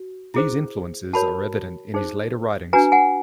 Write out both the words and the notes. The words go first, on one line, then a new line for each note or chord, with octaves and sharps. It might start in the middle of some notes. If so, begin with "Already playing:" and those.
These influences are evident in his later writings.
Already playing: F#4
E4 G#4 C5
F#4 A#4 C#5 A5 B5
D#4 G#4 C5
D4 F#4 B4 G#5 A#5
F#5 G#5